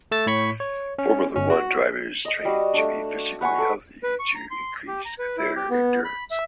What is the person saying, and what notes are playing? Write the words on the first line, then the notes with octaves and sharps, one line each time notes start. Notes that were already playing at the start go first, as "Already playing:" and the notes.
Formula one drivers train to be physically healthy to increase their endurance.
A3 E6 A6
A2 C#5 B5 C#6 B6
C#5
C#4
G1 C#4
F#4
D#5 D#6
G3 F#4
A3 D4
B4 F#5 G#5 C#6
A4 B4
B4
C#6
A#5
C6
G4
A#5
B4
E4
G4
B3
B5
E5